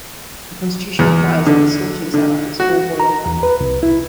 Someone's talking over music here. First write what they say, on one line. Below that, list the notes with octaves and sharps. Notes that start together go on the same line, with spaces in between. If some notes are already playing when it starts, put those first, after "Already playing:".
The Constitution requires that the Storting serve out its full four-year term.
E2
D3
D3
F#4
A#5
E2
B4
C2
E4